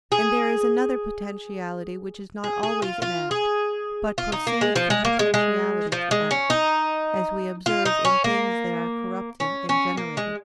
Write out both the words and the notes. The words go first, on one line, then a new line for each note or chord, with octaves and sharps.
And there is another potentiality which is not always in act, but proceeds from potentiality to act; as we observe in things that are corrupted and generated.
G#4
G#4
G#4
F4
F4
G#4
F4
D#4
A#3
G#3
F3
G#3
A#3
G#3
G#3
F3
G#3
C#4
D#4
F4
D#4
C#4
A#3
C#4
C#4
A#3
G#3